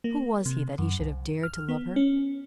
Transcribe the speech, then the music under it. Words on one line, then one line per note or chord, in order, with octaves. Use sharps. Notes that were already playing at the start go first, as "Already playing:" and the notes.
Who was he that he should have dared to love her?
A#3
C3
F#2
C2
F6
B3
C#4